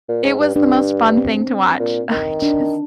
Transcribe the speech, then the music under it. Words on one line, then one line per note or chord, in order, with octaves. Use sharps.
it was the most fun thing to watch. I just
A#2
G#2
G2
G2 D4
C4
A#2
D#3
D4